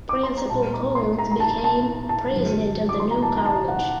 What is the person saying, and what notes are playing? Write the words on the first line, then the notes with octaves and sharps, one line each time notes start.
Principal Koons became president of the new college.
D6
C6
A#5
A#2 G3 A5
A#5
C6
A#5
A#5
A5
A5
A5
G2 D3 F#3
D6
C6
A#5
A5
A#5
A5
F#5